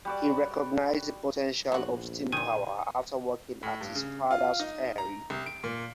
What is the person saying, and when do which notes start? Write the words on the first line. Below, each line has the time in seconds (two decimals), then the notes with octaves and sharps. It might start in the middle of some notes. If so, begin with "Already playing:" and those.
He recognized the potential of steam power after working at his father's ferry.
0.05 G3 F#4 D5
1.72 A#1 B3 F#4
2.32 A#2 D#3 G#5
3.63 A2
3.81 G2
3.95 C#3
4.31 F4
4.60 D#4
4.98 A#5
5.30 C2
5.46 D7
5.64 A#2